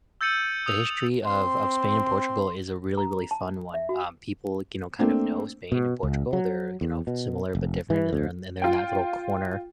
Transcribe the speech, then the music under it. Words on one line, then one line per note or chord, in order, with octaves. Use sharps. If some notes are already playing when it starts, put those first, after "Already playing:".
the history of of Spain and Portugal is a really, really fun one, um, people, you know, kind of know Spain and Portugal. They're, you know, similar but different, and they're in and they're in that little corner,
E6 G6 A6 C#7 D#7 F#7
D#6 E6 F7
C4 C6
A#5
A5
E5
F#4
A3 A#3 C4 D4
B2
C#2
F#3
E2
B2
F1
E3
D2
F4 G5